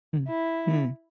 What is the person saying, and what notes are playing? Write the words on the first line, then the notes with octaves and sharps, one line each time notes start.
Mm. Hmm.
E4